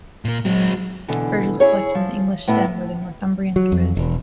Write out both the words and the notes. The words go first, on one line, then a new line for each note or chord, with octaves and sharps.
Versions collected in England stem from the Northumbrian thread.
A#2 A#3
F#3 G#3 C4
B2 D3 E3
E4 G#4 C#5
F3
A2 B3 E4
F#3
F2
E1